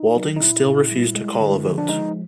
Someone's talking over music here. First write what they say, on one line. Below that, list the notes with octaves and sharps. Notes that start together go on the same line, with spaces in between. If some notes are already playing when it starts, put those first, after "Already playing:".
Walding still refused to call a vote.
Already playing: D#4
F#3
D#4
A#2 E4
A#2
G3
G#3
D3
F3
D4
G#3 D#4